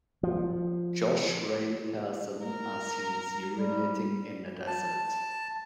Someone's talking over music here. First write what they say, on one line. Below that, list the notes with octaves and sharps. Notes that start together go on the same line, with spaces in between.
Josh Ray Person as he is urinating in the desert.
F3
A#4
G3
A5